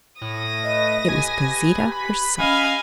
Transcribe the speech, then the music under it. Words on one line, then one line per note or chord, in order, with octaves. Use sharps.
It was Gauzita herself.
A2 D#6 A#6
B4 D#5
G4 G#5
B5
C#4 D#5 F5 G#5